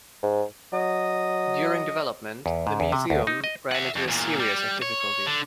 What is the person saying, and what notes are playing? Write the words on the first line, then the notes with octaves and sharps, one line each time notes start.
During development, the museum ran into a series of difficulties.
G#2
F#3 D#5
E2
G#2
E2
C3
D2
D#4
D#5
E5 F#5
F2
E2 A#2
G3
C#5
D3